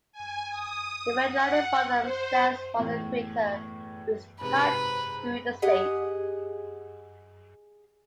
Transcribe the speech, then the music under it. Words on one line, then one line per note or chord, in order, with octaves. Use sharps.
The red line in bottom stands for the equator, which cuts through the state.
G#5
D#6
F#5
C5
E2 A2
G#2 C3 B4
G4 G#4 D#5 F#5